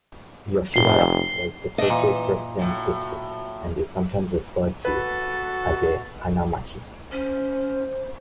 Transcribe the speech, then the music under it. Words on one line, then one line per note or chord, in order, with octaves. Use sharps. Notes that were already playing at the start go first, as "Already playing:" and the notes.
Yoshiwara was the Tokyo courtesans' district and is sometimes referred to as a "hanamachi".
F1 C7 G7
A3 D4 D#5
A#2 E3
A2 F#3
F#4 A4 B4
C#4 C5